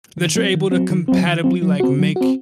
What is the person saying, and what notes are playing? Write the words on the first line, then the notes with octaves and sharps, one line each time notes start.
that you're able to compatibly, like, make
D#3
F#3 C4
D#3
F#3 C4
D#3
F#3 C4
D#3
F#3 C4
F#3
C4 F#4
F#3
C4 F#4